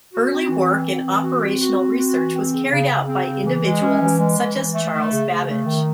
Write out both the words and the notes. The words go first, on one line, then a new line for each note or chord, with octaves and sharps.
Early work in operational research was carried out by individuals such as Charles Babbage.
F#4
C4
E3
C4
C4
E3
F#4
C4
F#4
C4
F#4
E3
C4
C#3
C#3
C#3
C4
C#3
E3
G#3
C#4
E3
G#3
E3
E3
A3
A3
C#3
C#3
A3
D#3